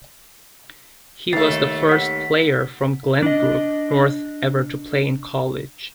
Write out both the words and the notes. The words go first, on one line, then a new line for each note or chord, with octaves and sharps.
He was the first player from Glenbrook North ever to play in college.
D#2 A3 A6 C7
F#5 B6
D4 D#5